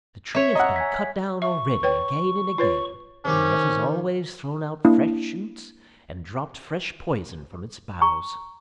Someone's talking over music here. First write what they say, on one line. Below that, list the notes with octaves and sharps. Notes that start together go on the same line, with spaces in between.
The tree has been cut down already again and again; and yet has always thrown out fresh shoots and dropped fresh poison from its boughs.
C#5 E5
D#5 F#5 A#5 E6
G#5 G#6 B6
E5 C#6
B4 C#5 G5
F4 B4 C#5
C3 D#3 C#4 G4
A#3 D4 E4
G#5 A#5 C#6